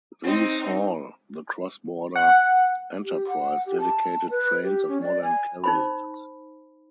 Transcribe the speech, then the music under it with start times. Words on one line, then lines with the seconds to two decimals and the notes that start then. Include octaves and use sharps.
These haul the cross-border "Enterprise" dedicated trains of modern carriages.
0.24 C4 D#4
2.16 F#5
3.04 G4
3.27 F#5
3.66 G4
3.80 A5
4.30 B4
4.63 G4
4.88 C#4
5.01 D5
5.22 G#5
5.64 D#4 C5 B5